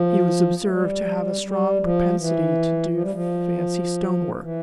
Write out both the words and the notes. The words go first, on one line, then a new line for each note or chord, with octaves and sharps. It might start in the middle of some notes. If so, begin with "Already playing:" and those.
He was observed to have a strong propensity to do fancy stone-work.
Already playing: F3
A3
G3
G3
F3
E3
F3
G3
F3
E3